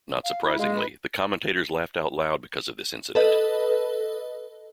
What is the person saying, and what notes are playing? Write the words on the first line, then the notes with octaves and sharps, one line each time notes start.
Not surprisingly, the commentators laughed out loud because of this incident.
F5
E4 B5
G#3 F5
B4
A4 B4 D#5